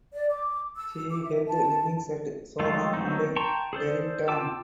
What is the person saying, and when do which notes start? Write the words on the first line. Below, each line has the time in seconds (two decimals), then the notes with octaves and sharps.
He held livings at Soham and Terrington.
0.13 D5
0.30 D6
0.76 E6
1.10 D6
1.23 E5
1.46 A5
2.59 F3 F#3 G#3 A3 F4
2.93 F#3 A3 B3 C4 D#4
3.36 G5 A5 A#5 C6 C#6
3.73 G#4 A4 C5 D5
4.28 F4 G5 A5 D6 E6